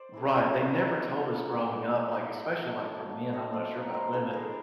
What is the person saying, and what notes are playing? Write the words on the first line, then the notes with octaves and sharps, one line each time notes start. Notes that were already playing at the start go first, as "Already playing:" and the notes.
Right, they never told us growing up, like, especially, like, for men, I'm not sure about women,
Already playing: C5 D5
A3 C#4 E4
F3 G#3 B3 D#4 C#5 D#5
F3 G#3 B3 D#4
F3 G#3 B3 D#4 E5 F#5
F3 G#3 B3 D#4
F#3 A3 D4 D#5 F5
E5 F#5
F#3 A3 D4 D#5 F5
F#3 A3 D4
F#3 A3 D4 C#5 D#5
C5 D5
F3 A#3 D#4 B4 C#5
A#4 C5
F3 A#3 D#4 A4 B4
G#4 A#4